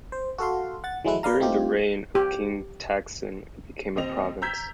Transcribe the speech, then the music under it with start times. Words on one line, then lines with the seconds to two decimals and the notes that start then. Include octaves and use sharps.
During the reign of King Taksin it became a province.
0.12 C5
0.38 F#4 A4 F5 C6
0.84 F#5 A6
1.04 E3 F#3 G#3 A3 E4 B4
1.23 A#4 B4 D5 F5 A#5
1.40 A3 C4 D#4 F4 G4
2.15 G4
3.96 D#2 C4 D#5 F7
4.42 A#5 E6 G6 G#6 B6